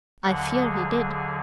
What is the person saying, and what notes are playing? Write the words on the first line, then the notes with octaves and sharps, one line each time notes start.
I fear he did.
D#2 D3 F#3 F#5
G#4
G#4